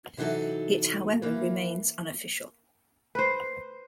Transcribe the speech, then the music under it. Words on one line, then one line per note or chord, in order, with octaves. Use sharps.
It however remains unofficial.
C3 E3 F#3 D#4 A4
E3 A#3
B4 C5